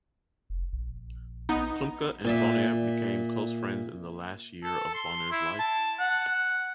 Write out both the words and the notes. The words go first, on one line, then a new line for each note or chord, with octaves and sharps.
Klumpke and Bonheur became close friends in the last year of Bonheur's life.
F1
A#1
B3 D#4
A#2 D5 E5
A4
C6
E4
A5
F#5